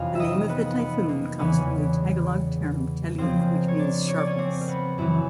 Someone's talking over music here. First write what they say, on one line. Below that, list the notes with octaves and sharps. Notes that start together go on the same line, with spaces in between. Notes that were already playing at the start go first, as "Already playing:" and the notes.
The name of the typhoon comes from the Tagalog term "Talim", which means 'sharpness'.
Already playing: F2 C3 E3 G#3 C#4 F4 F5
D#4 D#5 E5
B3 B4
B3 B4
A#3 A#4
E2 C#3 E3 G#3 B3 C#4 B4
F2 C#3 F3 A#3 C4 C5
C#5
D4 D5
C#5
D5
C#4 C#5
C4 C5
A#4
B3 B4
F#2 C#3 E3 E4 E5